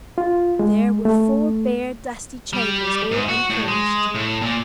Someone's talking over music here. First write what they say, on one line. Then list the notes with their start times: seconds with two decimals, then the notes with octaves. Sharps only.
There were four bare, dusty chambers, all unfurnished.
0.18 F4
0.59 G#3
1.05 A3
2.53 G3
3.11 G#2
3.29 F#4
3.50 A2
3.68 G#3
4.15 A2
4.42 A#2